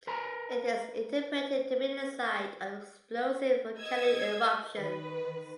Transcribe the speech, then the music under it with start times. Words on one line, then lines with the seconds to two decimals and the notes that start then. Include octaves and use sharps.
It is interpreted to be the site of explosive volcanic eruptions.
0.07 A#4 B4 G#5 A#5 B5
3.79 D#5 E6 G#6
4.74 D#3 B4